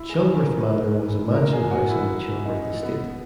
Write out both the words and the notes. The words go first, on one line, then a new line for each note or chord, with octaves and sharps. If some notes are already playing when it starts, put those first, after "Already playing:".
Chilworth Manor was a mansion house on the Chilworth Estate.
Already playing: E4
G#4
A#4
B4
A#4
G#4
F#4
E4
D#4
B3